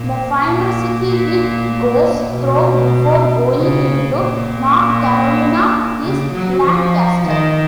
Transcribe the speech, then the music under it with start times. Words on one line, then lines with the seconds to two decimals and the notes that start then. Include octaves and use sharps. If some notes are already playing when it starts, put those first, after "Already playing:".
The final city it goes through before going into North Carolina is Lancaster.
Already playing: A#2
0.45 A#2
1.07 A#2
2.31 B2
3.55 C#3
4.16 A#2
6.02 C#3
6.33 F#3
6.64 F3
7.27 D#3